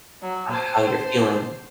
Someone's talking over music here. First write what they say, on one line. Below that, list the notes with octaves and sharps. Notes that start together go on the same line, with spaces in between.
how you're feeling
F#3
C5 A5